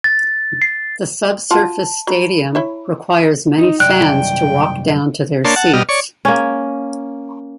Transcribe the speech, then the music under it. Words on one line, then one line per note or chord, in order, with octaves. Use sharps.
The subsurface stadium requires many fans to walk down to their seats.
A6
C7
F4 F#4 A5
F#3 A#5 B5
E4 C#5 E5
D#4
C2 F#2 D5 G5 F#6
A#3 D4 C#5 A5 C6
F#5 A5
B2 G3 D#5 F6
C#5 D5 C#6
A#3 C#4